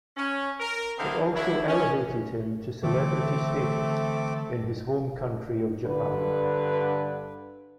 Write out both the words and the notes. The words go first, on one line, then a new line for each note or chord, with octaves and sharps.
It also elevated him to celebrity status in his home country of Japan.
C#4
A#4
D3 C4 D#4 E4 F5
D3 F#3 E4
C#4
D3 E3 A3 C4 D6
G2 D3 B4